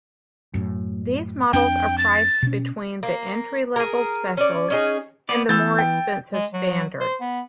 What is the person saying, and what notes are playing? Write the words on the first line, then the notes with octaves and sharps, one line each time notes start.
These models are priced between the entry-level Specials and the more expensive Standards.
F#2 A2
F2 C4 D4 G5
A6
B2 C#4
A#3
G#4 A#4
C#4 D5
C#4 D#4 G#4
B3 D5
E3 B3 E6 G6 A6
G5
G#3
F#3
C5
B3